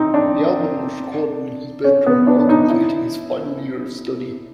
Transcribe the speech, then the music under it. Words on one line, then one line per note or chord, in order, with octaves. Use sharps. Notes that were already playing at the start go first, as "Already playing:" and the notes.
The album was recorded in his bedroom while completing his final year of study.
Already playing: C4 D#4
D4
C#4
B3
D4
D4
D#4
E4